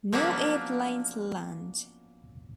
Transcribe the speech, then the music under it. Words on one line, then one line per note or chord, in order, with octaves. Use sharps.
No airplanes land.
F3 F#3 A#3 B3 C#4 D4